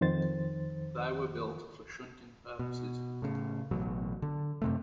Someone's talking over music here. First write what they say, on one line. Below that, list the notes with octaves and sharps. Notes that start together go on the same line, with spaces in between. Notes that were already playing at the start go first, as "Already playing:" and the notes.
They were built for shunting purposes.
F2 D#3 C5 A6
B2
A2 C#3
A1 B2 F#3
D3
F#2 C3 A3